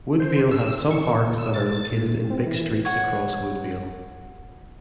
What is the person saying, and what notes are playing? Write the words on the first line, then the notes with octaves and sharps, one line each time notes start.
Woodvale has some parks that are located in big streets across Woodvale.
C5
E6
C#6
A#2
E6
A6
A#2
C4
E3
C#5 F#5